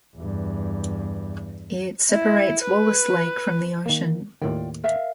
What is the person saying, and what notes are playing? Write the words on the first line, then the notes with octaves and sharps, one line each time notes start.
It separates Wallis Lake from the ocean.
E2 G2
E4
B4
D#3 A#3
D#2 A2 D#3 F4 D5 G5
A#4 E5 F5